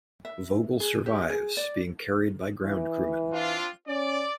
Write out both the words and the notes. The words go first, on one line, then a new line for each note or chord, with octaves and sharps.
Vogel survives, being carried by ground crewmen.
E5
G#4
G4
G#4
D5
E3
C4 D4 F4
C#4 D5